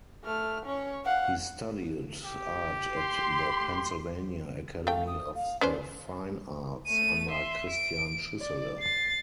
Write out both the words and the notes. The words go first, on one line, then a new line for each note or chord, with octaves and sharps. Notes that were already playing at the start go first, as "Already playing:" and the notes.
He studied art at the Pennsylvania Academy of the Fine Arts under Christian Schuessele.
A3 F6
C#4 C#5
F5 F#5
G4
C6
A3 F5 G5
D#6
F5
C#4 B4 C5 D5
A3 D#7
E5 C6
D7
D5
A6 C7